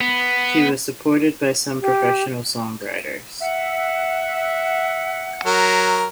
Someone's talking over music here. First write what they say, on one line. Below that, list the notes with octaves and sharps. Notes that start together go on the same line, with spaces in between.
She was supported by some professional songwriters.
B3
G4
E5 F#5
F#3 A#4